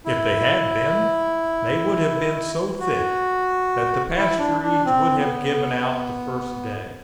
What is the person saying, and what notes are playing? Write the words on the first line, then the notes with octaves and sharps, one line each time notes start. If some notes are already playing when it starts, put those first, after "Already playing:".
If they had been, they would have been so thick that the pasturage would have given out the first day.
E4
F#4
E4
D4
D4
C4
B3